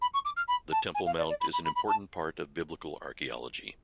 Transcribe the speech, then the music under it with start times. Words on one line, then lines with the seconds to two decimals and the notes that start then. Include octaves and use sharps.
The Temple Mount is an important part of Biblical archaeology.
0.02 B5
0.14 C#6
0.25 D6
0.37 F6
0.48 B5
0.72 A5
0.95 G#5
1.06 F5
1.18 D5
1.30 D5
1.41 B5
1.53 B5
1.65 B5
1.76 B5
1.88 A5